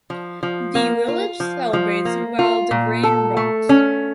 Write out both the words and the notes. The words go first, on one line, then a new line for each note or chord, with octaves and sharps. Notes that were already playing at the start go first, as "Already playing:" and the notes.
The village celebrates while the grain rots.
F3
F3
A#3
F4
F3
F3
A#3
F4
A#2
A4
A3
C#4